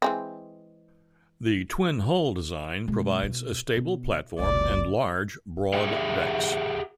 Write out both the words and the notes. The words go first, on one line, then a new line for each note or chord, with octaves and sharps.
The twin-hull design provides a stable platform and large, broad decks.
E3 G#3 C4
B2 G#3
B2
B2
F#1 C#2 D5
G4 G#4 E5 F#5 G5